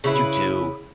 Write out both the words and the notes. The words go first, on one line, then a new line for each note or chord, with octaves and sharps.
You do.
C#3 E4 B4